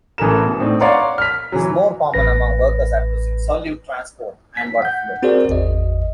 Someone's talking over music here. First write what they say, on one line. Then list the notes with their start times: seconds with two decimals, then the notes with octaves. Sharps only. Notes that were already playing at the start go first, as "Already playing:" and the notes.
This is more common among workers addressing solute transport and water flow.
0.18 A1 E3 A4 A#4 E7
0.46 B2
0.59 A2 C4 D4 D#4
0.81 C#5 D5 F5 F#5 A#5 C6
1.18 F6 B6
1.52 E3 F#3
2.14 A1 B4 A#6
4.57 B6
4.82 F#5 G6
5.23 C4 F#4 G#4 A#4 C5 D5
5.49 G#1 E2 D#5